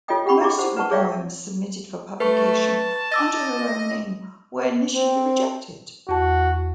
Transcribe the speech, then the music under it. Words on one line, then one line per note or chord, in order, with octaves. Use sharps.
Most of her poems submitted for publication under her own name were initially rejected.
F4 A4 C#5 D#5 G5 D#6
G4 F#5 G5 B5 C#6
D4 E4 G#4 D#5 C#6 D6
C5 F#5
B4 F#5 A5 C#6
G#4 C#5 D5 E5 F5 G5
A3 B4 A5 C#6
D#5 D6 E6 A6
C4
E2 F#4 A5